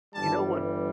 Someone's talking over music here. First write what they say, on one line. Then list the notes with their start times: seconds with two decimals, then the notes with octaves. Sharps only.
You know, one
0.14 G1 G2 E3 G3 A5